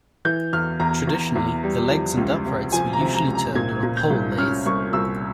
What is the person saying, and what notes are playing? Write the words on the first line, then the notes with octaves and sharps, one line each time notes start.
Traditionally, the legs and uprights were usually turned on a pole lathe.
E3 G6
E2 F6
E2 A#5
E2
E2
G3
F3
C#2
C3
F3 G#5
A#5
C3
A#5
C#2
A#5
A#2 G#6
A#2
G6
C2
C#4 F6
C2 C#6
C2 E6